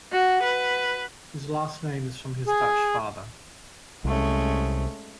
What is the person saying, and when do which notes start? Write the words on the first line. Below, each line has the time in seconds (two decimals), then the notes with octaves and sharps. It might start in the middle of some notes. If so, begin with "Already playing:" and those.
His last name is from his Dutch father.
0.12 F#4
0.42 B4
2.46 G#4
4.05 C2 G#3 A3 C#4